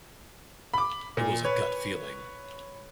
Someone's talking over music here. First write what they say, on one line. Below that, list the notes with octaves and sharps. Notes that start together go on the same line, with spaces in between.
It was a gut feeling.
B5 D6
A#2
B4 C#5